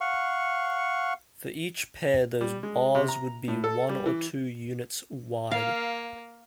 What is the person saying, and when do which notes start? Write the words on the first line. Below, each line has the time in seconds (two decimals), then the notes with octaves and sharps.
For each pair those bars would be one or two units wide.
0.01 F5 F#5 C#6
2.41 G3
2.63 G#3
2.95 C3
3.08 A#5
3.48 A2
3.64 A4
3.89 G3
4.06 E3
5.51 A#3 F5